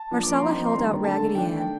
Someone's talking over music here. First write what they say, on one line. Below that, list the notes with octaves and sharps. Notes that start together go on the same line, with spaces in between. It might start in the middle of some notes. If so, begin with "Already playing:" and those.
Marcella held out Raggedy Ann.
Already playing: A5
F3 A#3 D4
D6
C6
F3 C4 D#4 A#5
C6
D#3 G3 A#3 D4 A#5
D3 A3 D4 A5
D#3 A3 D4 G5
G5